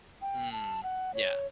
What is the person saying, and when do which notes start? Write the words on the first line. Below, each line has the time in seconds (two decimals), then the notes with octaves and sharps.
Mm, yeah.
0.22 G5
0.52 A5
0.83 F#5
1.14 C#5